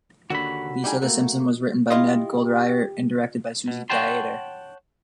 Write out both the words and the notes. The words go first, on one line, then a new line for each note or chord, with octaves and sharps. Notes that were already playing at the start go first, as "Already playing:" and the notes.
"Lisa the Simpson" was written by Ned Goldreyer and directed by Susie Dietter.
D#2 D3 F#4 B5
G3 D#4 G#4
A3 A#3
E4 F4 G4 D#5 F5
B2
C#5 F#5 G5 A5 C6